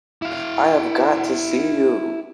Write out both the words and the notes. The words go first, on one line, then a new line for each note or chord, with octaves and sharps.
I have got to see you.
E4 F5